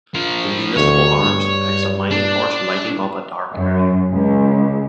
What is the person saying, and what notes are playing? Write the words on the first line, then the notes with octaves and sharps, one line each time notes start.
The municipal arms depicts a mining torch lighting up a dark area.
F3 A#4
D2 C#5
G2
D4
F#2
C#2